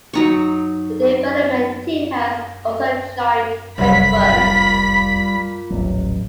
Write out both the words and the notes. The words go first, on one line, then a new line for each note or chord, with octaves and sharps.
The development team has also joined Facebook.
F#3 D#4 C#6
F1 C2 F#2 C3 G3 B5 B6
A#3 F4 A#4
D#1 A1 F#3